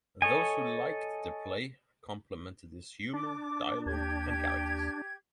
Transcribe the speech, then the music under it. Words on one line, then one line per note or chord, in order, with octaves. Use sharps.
Those who liked the play complimented its humor, dialogue, and characters.
A4 C#5 D#5 G#5
D4 D6
D#2 G4 G#6